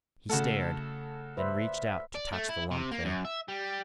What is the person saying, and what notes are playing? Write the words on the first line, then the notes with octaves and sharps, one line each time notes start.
He stared, then reached out to touch the lump there.
C#3 A3 F#4 A4
B4 C5 D5 E5
D5
A3
E4
C3
A#3
F#2
E5
G3